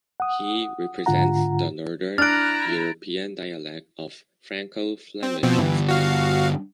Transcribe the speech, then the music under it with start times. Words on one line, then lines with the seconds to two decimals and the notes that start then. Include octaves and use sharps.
He represents the northern European dialect of the Franco-Flemish style.
0.20 F#5 D#6
1.06 G#2 D3 F4 F#5 A#5
2.18 D4 E4 A#5 F6 F#6 A6 D7
5.23 C4
5.43 B2 F3 C4
5.58 G2 D3 E3
5.89 F#4 F5